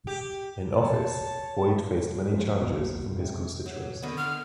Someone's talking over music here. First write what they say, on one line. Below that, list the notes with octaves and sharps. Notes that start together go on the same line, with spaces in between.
In office, Boyd faced many challenges from his constituents.
G4
B4 C#5 A5
F3 G#3
B1 A#2 F#3 B3
G#2 C3
F#3
D3 D#3 B3
F6